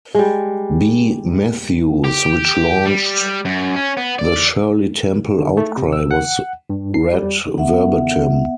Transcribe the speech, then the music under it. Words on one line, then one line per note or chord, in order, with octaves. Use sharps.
B. Matthews, which launched the Shirley Temple outcry was read verbatim.
G3 G#3
G4
G3
F#2
C#4
B3
D5
D3
A3
C3
E6
F#5
G2
C7
G3
B3 E5 F#5